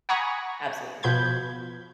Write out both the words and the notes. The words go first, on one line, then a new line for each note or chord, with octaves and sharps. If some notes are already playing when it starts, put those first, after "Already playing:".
Absolutely not.
F#5 G#5 A#5 B5 C#6 D#6
B2 F3 B5 G6 G#6